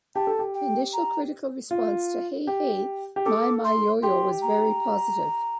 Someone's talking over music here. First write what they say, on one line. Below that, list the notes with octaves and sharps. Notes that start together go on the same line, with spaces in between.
Initial critical response to "Hey Hey My My Yo Yo" was very positive.
G4 A5
A4
G4
G5
A#5
F4
G4
G4
A4 D6
C6
G4 C6
A#5